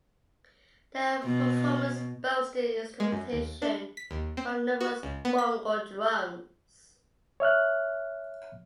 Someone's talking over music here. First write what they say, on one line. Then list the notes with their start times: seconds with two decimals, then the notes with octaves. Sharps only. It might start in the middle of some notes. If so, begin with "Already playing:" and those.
The performance boasted instrumentation from numerous bongo drums.
1.23 B2
3.00 G#3
3.12 F#2
3.33 D#2
3.62 D4
3.97 B6
4.11 D#2
4.37 C4
4.81 F#4
5.03 C#2
5.25 B3
5.38 B6
7.40 C#5 E5 F6 F#6